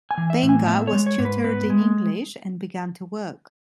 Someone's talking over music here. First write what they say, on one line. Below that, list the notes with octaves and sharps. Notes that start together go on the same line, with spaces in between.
Benga was tutored in English and began to work.
G#5
E3
E5
A2
G#5
B3 E5
C#5
G#3
C#5
G#2
B4
B3 B4
G#3